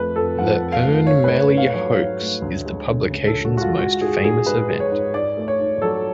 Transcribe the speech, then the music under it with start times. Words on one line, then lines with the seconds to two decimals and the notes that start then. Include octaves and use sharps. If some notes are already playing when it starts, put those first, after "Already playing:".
The Ern Malley hoax is the publication's most famous event.
Already playing: F2 A3 B4
0.16 F2 A4
0.38 F3 F#5
0.61 F2
0.72 F5
0.84 A3
1.06 G#2 C#5
1.24 A3 B4
1.40 C#5
1.52 G#2
1.58 F5
1.74 F#3 C#5
1.96 G#2
2.20 A3
2.42 D2
2.65 G#3
2.87 D2
3.10 C#3
3.27 A4
3.34 D2
3.45 F#4
3.56 G#3 F#4
3.61 F4
3.78 G#3 F#4
4.00 G#2 G#4
4.24 G#2 G#4
4.46 G#3 B4
4.69 G#3
4.80 C#5
4.91 G#2
5.14 G#2 D5
5.37 A3
5.48 C#5
5.60 G#2
5.82 F#3 A4